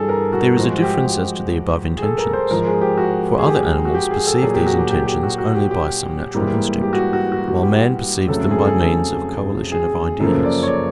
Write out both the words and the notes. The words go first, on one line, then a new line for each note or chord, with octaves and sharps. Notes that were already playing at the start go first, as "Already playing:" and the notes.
But there is a difference as to the above intentions: for other animals perceive these intentions only by some natural instinct, while man perceives them by means of coalition of ideas.
Already playing: G2 E3 G3 G#4 A4
A#4
F#4
G#2 F3 G#3 F#4
F#4
G4
G4
G#4
A4
A#4
C5
G#2 F3 G#3 A#4
G#4
G4
F#4
G#4
G4
F#4
G4
G#4
A4
A#2 F#3 A#3 G#4
G4
F#4
G4
G4
G4
F#4
F#4
G4
G4
G#2 E3 G3 A#3
G4
F#4
F#4
F#4
F#4
G4
F2 C#3 F#3 A3 A4
G#4
A4
G#4
G#4
F#2 C#3 F3 A#3 A4
D5
C#5
D5